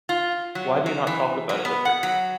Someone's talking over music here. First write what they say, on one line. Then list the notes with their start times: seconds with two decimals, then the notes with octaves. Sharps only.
Why do you not talk about it with her?
0.09 F4
0.55 F#3
0.86 F#3
1.07 E3
1.49 F#3
1.65 B3
1.85 F#5
2.03 F#3